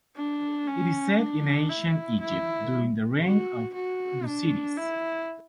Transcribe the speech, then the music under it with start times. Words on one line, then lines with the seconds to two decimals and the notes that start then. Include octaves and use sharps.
It is set in Ancient Egypt during the reign of Busiris.
0.16 D4
0.67 C#4
1.18 D4
1.69 E4
2.21 E4
3.23 F#4
3.74 F#4
4.26 D4
4.77 E4